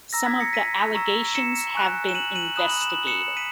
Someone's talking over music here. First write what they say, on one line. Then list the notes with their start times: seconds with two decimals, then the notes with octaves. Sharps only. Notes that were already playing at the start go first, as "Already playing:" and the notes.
Some of the allegations have been investigated.
0.13 A#5 E6 A#6
0.26 G#6 B6
0.40 A#6 C#7
0.53 B6 D#7
0.95 A#5 C#6 E6
1.35 C#7 E7
1.75 G#5 C#6 F#6
2.09 E7
2.15 D#7 F#7
2.35 D#7 F#7
2.56 B5 D#6 F#6 E7
2.68 F#7
2.82 E7
2.95 F#7
3.07 C#7 E7
3.37 B6 D#7